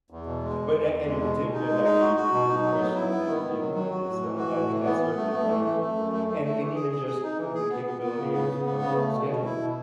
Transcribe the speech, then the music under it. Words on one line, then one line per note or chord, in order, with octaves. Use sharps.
But a anyway, to get back to you, to the q the question that we're dealing with is, uh, I think that's certainly one of them, and and even just, uh, the capability of of scheduling,
E2
B2
G#3
E2
E2
E2
G#3
B2
B2
D#4
G#3
D#4
F#4
F#4
B2
D#4
F#3
B3
E4
B3
D#3
D#3
F#3
F#3
F#4
A2
E3
F#4
A2
E3
B3
B3
A3
A3
E3
A3
A3
F#2
A3
A3
A3
E3
G#4
G#4
G#4
D#4
E3
G#4
B3
B3
B3
C#3
B3
C#3
B3
C#3
A3
B2
B2
E4
B2